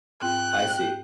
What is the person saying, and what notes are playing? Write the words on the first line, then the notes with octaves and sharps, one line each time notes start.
I see.
G#2 C4 F4 G5 F#6